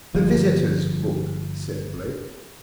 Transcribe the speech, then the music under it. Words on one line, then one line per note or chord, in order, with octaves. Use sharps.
"The visitors' book," said Blake.
G1 F3